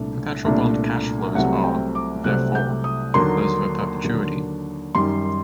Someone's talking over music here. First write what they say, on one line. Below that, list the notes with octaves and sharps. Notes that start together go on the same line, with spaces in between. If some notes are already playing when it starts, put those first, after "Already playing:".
Perpetual bond cash flows are, therefore, those of a perpetuity.
Already playing: C2 A#2 A3 D4
C2 A#2 A3 D4
C2 C3 F#3 A3 C4 F#5
G5
D6
C2 C3 F#3 A3 C4 F#6
G6
D#6
D#2 D3 F#3 A#3 D4 C6
D#2 D3 F#3 A#3 D4
F#2 D#3 G3 C6